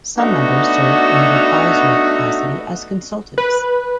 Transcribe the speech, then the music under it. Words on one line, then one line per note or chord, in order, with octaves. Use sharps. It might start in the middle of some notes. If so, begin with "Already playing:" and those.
Some members served in an advisory capacity as consultants.
A3 B3 D4 D#4 F#4
B4